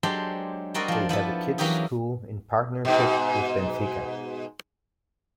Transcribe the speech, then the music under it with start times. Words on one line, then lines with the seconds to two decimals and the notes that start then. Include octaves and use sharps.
They have a kids school in partnership with Benfica.
0.03 F#3 G#3 D4 G4 A4 C5
0.74 G3 C4 F#4 A#4 D5 D#5
0.88 F3 D4
1.09 F3 B3 E4 A4
1.58 E3 F#3 A#3 C#4 G4 G#4
2.85 G#2 B2